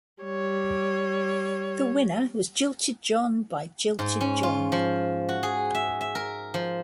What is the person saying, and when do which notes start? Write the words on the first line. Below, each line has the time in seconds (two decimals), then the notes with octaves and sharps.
The winner was Jilted John by Jilted John.
0.23 G3 C#5
3.99 G#2
4.21 C#4
4.43 F4
4.72 F3
5.29 F#4
5.43 G#4
5.75 E5
6.01 E5
6.15 A#4
6.54 F3